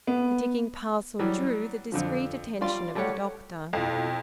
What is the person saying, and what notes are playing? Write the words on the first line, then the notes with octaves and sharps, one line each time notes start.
The ticking parcel drew the discreet attention of the doctor.
B3
E3 F#3 G3
F2 D3 F3
G3 F4 D5 C6
G3 A3 G4 C#5 F#5
F2 B2 E4 F5